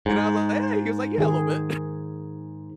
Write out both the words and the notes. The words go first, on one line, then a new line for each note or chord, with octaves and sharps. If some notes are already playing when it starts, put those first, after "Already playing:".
And I was like, "Yeah." He was like, "Yeah, a little bit."
G#2
D#3 G#4